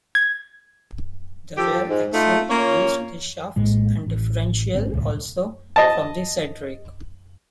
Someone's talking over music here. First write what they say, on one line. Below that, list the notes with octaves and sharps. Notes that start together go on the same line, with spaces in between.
The rear axle used the shafts and differential also from the Cedric.
G#6
F3 G4 A4
G#2
A3 D#4 F4
A#3 C#4 F4 C#5
A#1 A2 G#3
A1
G#1 C#3 C4
D1 C2 A3
D#5 A5